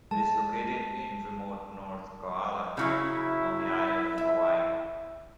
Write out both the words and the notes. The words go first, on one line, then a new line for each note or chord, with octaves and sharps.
It is located in remote North Kohala on the Island of Hawaii.
G#3 A5
C#3 F#3 C#4 E4
E5